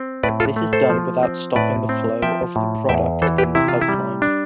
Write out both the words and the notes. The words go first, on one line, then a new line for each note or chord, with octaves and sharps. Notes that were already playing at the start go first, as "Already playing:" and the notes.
This is done without stopping the flow of the product in the pipeline.
Already playing: C4
A2 B4 D5
F4 A4
A3
A4 C5
F3
C4
A2 B4 D5
C4
F3 E5 G5
A2
E2 E5 G5
E3 A4 C5
G4 B4
C3 E4
F4
E4
G3
D4